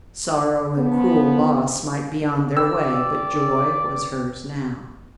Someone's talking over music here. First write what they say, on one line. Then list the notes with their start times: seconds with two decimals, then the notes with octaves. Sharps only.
Sorrow and cruel loss might be on their way, but Joy was hers now.
0.77 F3 B3
2.57 B4 D5 G5 E6